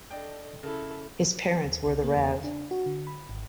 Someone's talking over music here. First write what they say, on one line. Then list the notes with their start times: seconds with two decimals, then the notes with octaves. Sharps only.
His parents were the Rev.
0.11 D4 A4 D#5 G5
0.63 C#3 E4 A4
1.65 D#2
1.86 C2
2.04 A#3
2.16 E2
2.31 C#3
2.44 D4
2.71 F#4
2.86 D3
3.07 B5
3.29 G#1